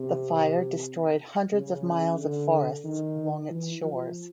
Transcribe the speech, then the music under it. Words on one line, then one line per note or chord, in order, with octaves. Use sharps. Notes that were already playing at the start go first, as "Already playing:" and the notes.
The fire destroyed hundreds of miles of forests along its shores.
Already playing: C3
C#3
D3
D#3
E3
F3